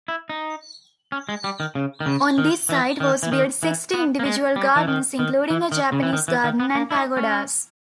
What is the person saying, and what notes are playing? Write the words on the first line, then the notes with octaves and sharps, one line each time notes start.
On this site was built sixty individual gardens, including a Japanese garden and pagodas.
E4
D#4
C#4
G#3
G3
D#3
C#3
D#3
C#3
D#3
E3
D#3
E3
D#3
E3
B3
A#3
G#3
G3
E3
D#3
D#3
E3
D#3
C#3
E3
D#3
E3
D#3
B3
A#3
E4
D#4
C#4